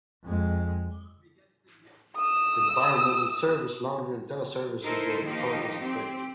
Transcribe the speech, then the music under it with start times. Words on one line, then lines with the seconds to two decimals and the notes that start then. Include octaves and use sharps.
Environmental Service, Laundry and Teleservices were the departments affected.
0.23 F2 G#3
2.16 D#6 E6
4.84 D#4 E4 A4 A#4 C5
5.26 D#3 F3 A#3 D#4 G4
5.80 C4 G4